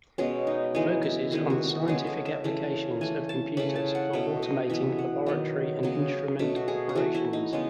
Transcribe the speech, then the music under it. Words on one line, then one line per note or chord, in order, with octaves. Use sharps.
It focuses on the scientific applications of computers for automating laboratory and instrument operations.
B2 G#3 B3 C#4
D#4
E3 G#3 B3 D#4
E4
D#3 G#3 B3 E4
F#4
F#4
C#3 G#3 B3 G#4
A4
E5
C#3 E3 A3
E3 A3 G#5
A5
C#3 E3 A3 B5
A5
F#5
B2 A3 E5
D#5
E3 B3 E5
F#5
D#3 F#3 B3
C#3 F#3 B3
B2 A3 E5
F#4
G#4
G#4
E3 A3 F#4
E4
D#4
C#3 G#3 B3